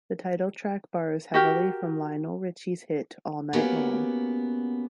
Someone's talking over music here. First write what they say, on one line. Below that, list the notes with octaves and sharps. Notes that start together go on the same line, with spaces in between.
The title track borrows heavily from Lionel Ritchie's hit All Night Long.
F#4 G4 A#4
A#3 B3 C#4 F#4 G4 A#4